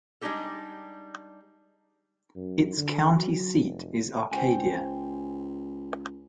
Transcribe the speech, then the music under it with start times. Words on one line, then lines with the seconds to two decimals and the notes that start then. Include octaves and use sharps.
Its county seat is Arcadia.
0.21 G3 G#3 D4 D#4 G4 A4
2.36 F#2
2.77 D3
3.15 F#3
3.62 F1
4.32 C#2 C5 G5 G#5